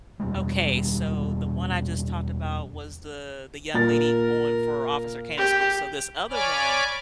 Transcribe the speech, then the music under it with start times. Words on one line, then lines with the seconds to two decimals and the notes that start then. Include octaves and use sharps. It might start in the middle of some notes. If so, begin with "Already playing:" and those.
Okay, so the one I just talked about was the the young lady going for Officer Candidate school. So this other one
0.20 E2 B2 G3 G#3
3.74 A#2 A#4 A6
5.38 G4
6.30 C#5 D5 G#5 B5 D6 F6